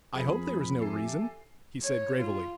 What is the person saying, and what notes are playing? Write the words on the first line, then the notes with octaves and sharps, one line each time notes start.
"I hope there is no reason," he said gravely.
F2 G#4 A#4 B5
G4 A4 E5 G#5 C7
C#5
F4